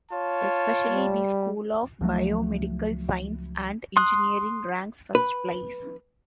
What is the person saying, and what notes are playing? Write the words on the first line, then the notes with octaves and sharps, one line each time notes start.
Especially the School of Biomedical Science and Engineering ranks first place.
F4 C#5 A5
G3
C#2 F3 F#3 A3
C6 D#6 F#6
B4